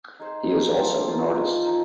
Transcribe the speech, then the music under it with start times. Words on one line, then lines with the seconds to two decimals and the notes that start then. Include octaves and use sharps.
He is also an artist.
0.20 D#4 G#4 C5
0.49 D#4 G#4 C5
0.77 F3 A#3 F4 C5
1.07 F3 A#3 F4 C5
1.37 F3 G#3 D#4
1.66 F3 G#3 D#4